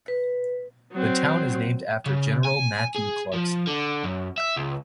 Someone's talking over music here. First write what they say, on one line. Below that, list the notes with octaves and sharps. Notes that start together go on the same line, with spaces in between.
The town is named after General Matthew Clarkson.
B4
F#3 C4
C#3
G#5
G#4
F3
D3
F#2
E5
C#2